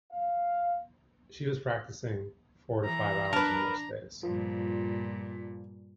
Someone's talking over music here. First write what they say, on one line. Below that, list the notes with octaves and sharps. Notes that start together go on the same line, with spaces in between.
She was practicing four to five hours on most days.
F5
E3 A#5
D4 A#4 B4 A5
G2 A#2 F3